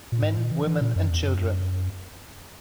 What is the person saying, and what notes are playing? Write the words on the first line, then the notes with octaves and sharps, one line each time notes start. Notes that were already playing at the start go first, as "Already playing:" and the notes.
Men, women and children.
A#2
G#2
A#2
E3
E3
A#2
F#2
E2
F#2